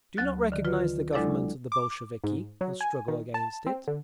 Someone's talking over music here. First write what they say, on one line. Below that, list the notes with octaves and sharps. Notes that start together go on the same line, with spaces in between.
Do not recognise the Government of the Bolsheviki, and struggle against it.
D2 F#3 F#6
D3 D#3
F4 B4
F#3 G#3 D4 E4 A4 D5
D6
G#2
F#3
G#5
D#3
A5
C4
D3